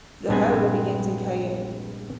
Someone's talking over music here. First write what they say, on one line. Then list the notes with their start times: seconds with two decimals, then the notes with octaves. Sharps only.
The highways begins in Cayenne.
0.29 A#1 G2 G#3 B3 C4 G#5